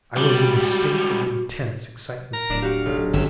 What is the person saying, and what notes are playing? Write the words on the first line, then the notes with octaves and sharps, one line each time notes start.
I was in a state of intense excitement.
C#2 G3 F#4
A#4 A#5
D1 D4 D5 E7
F#4 G4 F5
B1
G1 C#3 E5